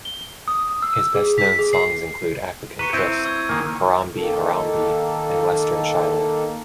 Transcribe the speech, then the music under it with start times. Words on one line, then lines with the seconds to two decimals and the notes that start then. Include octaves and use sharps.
His best-known songs include "African Twist", "Harambee Harambee" and "Western Shilo".
0.05 G7
0.48 D#6
0.82 E6
1.14 G#4
1.38 B6
1.59 G#4
1.73 C7
2.79 B4 A#5 C#6 C#7
2.93 C4 E4 G6 D#7
3.25 C#6 E6 G#6
3.49 D#3 A#3 G#5
4.16 D#3 A#3 A4